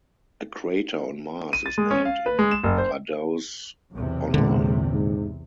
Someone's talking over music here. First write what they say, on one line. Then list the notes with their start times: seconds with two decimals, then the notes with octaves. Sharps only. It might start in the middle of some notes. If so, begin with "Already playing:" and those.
A crater on Mars is named in Radau's honor.
1.53 D#7
1.66 A6
1.78 G#3
1.91 C#4
2.05 F5
2.26 B4
2.39 G#3
2.51 E7
2.64 F#1
2.78 C5
3.92 B1 E2 C3
4.34 A#2 D3 G#3
4.93 G#2